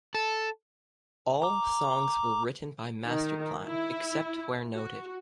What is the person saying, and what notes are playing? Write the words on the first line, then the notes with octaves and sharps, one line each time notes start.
All songs were written by Masterplan, except where noted.
A4
A#5 D6
D#3
E4
F#4